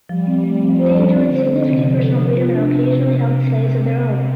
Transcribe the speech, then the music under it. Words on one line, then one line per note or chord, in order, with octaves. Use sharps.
They enjoyed significant personal freedom and occasionally held slaves of their own.
F3 G3
C4
A3
F3 C4
C5
A4
D3 C4
C5
A4
C3 C4
F3
A4
C3 F3
F4
D4